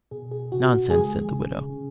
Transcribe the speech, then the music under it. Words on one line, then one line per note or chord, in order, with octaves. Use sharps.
"Nonsense," said the widow.
B2 G#4
G#4
C#3 F#4
G#3 G#4
C#3
C#3